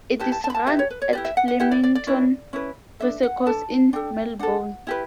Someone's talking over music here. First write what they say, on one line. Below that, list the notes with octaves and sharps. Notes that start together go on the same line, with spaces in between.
It is run at Flemington Racecourse in Melbourne.
E4 G4 B4 A5
A5
A5
B5
A5
E4 G4 B4 E5
C#5
B4
C#5
E4 G4 B4 D5
E5
F#5
F#5
E4 G4 B4 F#5
D5
D5
D5
C#4 E4 B4
C#4 E4 B4
D4 A4 E5
F#5
D4 A4 A5
D4 A4 G5
D4 A4 F#5
E4 G4 B4